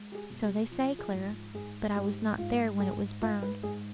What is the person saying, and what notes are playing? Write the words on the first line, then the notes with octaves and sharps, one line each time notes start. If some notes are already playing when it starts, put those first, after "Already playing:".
"So they say, Clara; but I was not there when it was burned."
Already playing: G#3
G4
G#4
B2
G4
F3
G#4
G#2
G#2 G#4
G#2 G4
G#2 F4
G#2 G#4
G#2 F4
B4
G#2 G#4